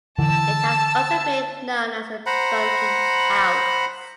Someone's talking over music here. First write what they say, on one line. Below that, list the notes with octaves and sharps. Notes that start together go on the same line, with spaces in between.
It has also been known as the Dugan House.
D3 E3 A5 E6
C5 F#5 A#5 B5